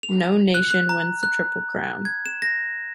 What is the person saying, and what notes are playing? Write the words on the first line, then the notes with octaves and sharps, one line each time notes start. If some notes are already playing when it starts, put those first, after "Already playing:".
No nation wins the Triple Crown.
F7
F#6
F#6
A#5
F#6
G#6
E7
A#6